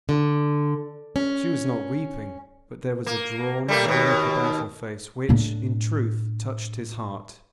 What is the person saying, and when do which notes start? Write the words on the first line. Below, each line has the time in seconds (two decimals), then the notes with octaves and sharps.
She was not weeping, but there was a drawn, heavy look about her face which, in truth, touched his heart.
0.09 D3
1.16 C#4
3.07 A#3
3.68 G3 A3 A#3
3.85 D#2 B2
5.29 A2 D4